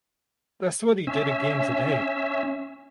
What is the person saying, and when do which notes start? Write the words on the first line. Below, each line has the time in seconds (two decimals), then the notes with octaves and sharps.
That’s what he did again today.
1.07 C#4 E5